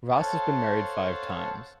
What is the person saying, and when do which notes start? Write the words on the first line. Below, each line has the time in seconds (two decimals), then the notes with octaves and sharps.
Ross has been married five times.
0.17 A4 C5 C#5 F5 F#5 A5